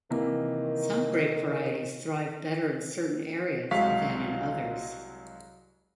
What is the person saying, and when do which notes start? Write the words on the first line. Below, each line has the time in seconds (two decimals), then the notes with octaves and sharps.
Some grape varieties thrive better in certain areas than in others.
0.10 C3 D#3 E3 A#3
3.71 C2 F#3 G#3 F5 C#6 B6